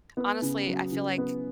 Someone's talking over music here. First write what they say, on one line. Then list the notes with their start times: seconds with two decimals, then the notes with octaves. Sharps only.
honestly, I feel like k
0.17 B3
0.42 C#3
0.68 F#3
0.92 C#3
1.18 B3